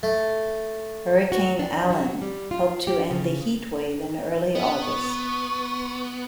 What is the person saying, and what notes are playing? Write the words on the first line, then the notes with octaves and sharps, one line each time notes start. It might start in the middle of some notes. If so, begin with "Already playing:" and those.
Hurricane Allen helped to end the heat wave in early August.
A3
F#4
D4
F#3
G3
F4
G4
C#3
B3
C#6